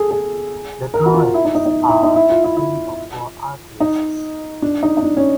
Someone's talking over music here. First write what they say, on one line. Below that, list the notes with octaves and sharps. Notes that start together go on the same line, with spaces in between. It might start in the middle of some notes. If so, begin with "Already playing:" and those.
The drawings are by three or four artists.
Already playing: G#4 A4
G#4
A#4
F#4
F4
E4
D#4
D#4
D#4
E4
D#4
E4
F4
E4
E4
D#4
D4
D#4
D#4
D4
C#4